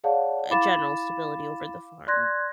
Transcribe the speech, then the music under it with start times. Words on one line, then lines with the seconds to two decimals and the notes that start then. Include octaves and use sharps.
a general stability over the farm.
0.04 G#4 C#5 D5 F5 F#5 A5
0.50 E4 F5 B5 D6 A6 E7
2.08 D5 C6 F#6 G#6 A#6